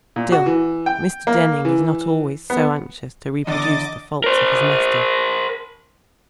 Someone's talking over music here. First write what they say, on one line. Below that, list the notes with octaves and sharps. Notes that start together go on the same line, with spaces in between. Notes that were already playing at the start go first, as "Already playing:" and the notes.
Still, Mr. Denning is not always so anxious to reproduce the faults of his master.
A#2
F#4
E3
G5
A#3
E3
B3
E2 D3 D#5 D6 A6
A#4 C5